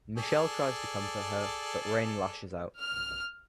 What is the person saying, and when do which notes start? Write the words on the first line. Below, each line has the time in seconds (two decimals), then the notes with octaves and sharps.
Michelle tries to comfort her but Rain lashes out.
0.18 G#4 A4 D5
2.79 F6